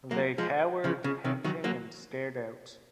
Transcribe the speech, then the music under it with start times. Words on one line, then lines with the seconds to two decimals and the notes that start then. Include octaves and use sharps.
They cowered panting and stared out.
0.11 F#3 A#3
0.38 F3 G#3
0.84 C#3 F3
1.04 C#3
1.25 C3 D#3
1.44 D#3 F#3
1.64 F#3 A#3